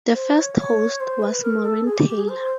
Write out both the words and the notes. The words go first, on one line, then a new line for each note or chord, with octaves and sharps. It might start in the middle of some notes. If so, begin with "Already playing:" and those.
The first host was Maureen Taylor.
C5
C#5
C#5
C5
B4
A#4
A4
G#4
G4
G4
G#4
C5